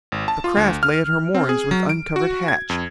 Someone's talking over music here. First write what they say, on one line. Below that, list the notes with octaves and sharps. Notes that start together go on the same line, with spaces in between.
The craft lay at her moorings with uncovered hatch.
G#1
A5
F4
D2
F6
C4
G#4
F#3
D7
F#4
G#6
F2